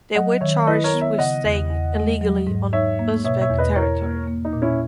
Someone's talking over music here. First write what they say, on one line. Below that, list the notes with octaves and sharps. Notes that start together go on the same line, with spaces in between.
They were charged with staying illegally on Uzbek territory.
F#3 D#5 F#5
D#3 C#5 E5
E4 B4 D#5
A#4 C#5
B3
C#5 E5
C#3 D#5 F#5
E2
E2
G#3
F#3
G#2
D#4 C#5 E5
A#3
B2 C#5 E5
C#5 E5
E2
B4 D#5
E4 A#4 C#5
A#3
A#3
D#4
A#2
C#4 E4